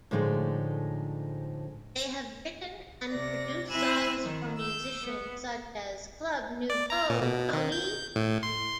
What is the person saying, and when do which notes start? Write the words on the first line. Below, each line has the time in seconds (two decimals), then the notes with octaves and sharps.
They have written and produced songs for musicians such as Club Nouveau, Tony!
0.11 A2 D3 F3 G#3 A3 D#4
3.08 C3 D5 A#6
3.69 C4 E4 G#5 B5 E6 F#6
4.24 D#3
4.58 E6 G6
5.05 B3
6.70 D5
6.90 A#5
7.09 A#2
7.22 B2
7.53 D#3
7.72 G6
8.16 A2
8.43 C6